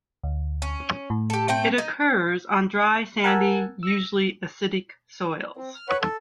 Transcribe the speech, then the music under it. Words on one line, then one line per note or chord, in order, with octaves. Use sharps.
It occurs on dry, sandy, usually acidic soils.
D2
C#4
A2
G4 A4
A3 C4 G5
D#4
A#4 F#5 G#5 A5 E6
E6 A#6
C4
F6
B4 C#5 F#5 B5
A4